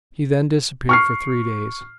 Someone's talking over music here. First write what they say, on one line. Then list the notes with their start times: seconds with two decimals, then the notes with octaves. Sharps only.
He then disappeared for three days.
0.89 C#6 F6 C7